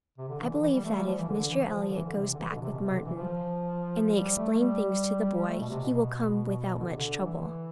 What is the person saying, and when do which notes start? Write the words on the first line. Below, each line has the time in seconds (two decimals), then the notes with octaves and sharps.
I believe that if Mr. Elliott goes back with Martin and they explain things to the boy, he will come without much trouble.
0.18 C3
0.29 D3
0.40 E3
0.51 D3
0.62 E3
0.74 G3
0.85 A3
0.95 G3
1.06 F3
1.18 E3
1.28 D3
1.39 D3
1.50 E3
1.65 F3
1.80 F3
1.89 D3
1.94 E3
2.06 D3
2.16 C3
2.34 D3
2.39 E3
2.50 D3
2.55 B2
2.61 C3
2.72 B2
2.82 C3
2.93 D3
3.05 E3
3.15 F3
4.15 G3
4.36 A3
4.59 G3
5.47 A3
5.59 B2
5.70 C3
5.80 B2
6.79 D3
6.88 C3
6.97 D3
7.23 E3